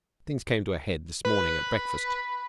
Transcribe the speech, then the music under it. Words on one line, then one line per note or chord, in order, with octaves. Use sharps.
Things came to a head this morning at breakfast.
B4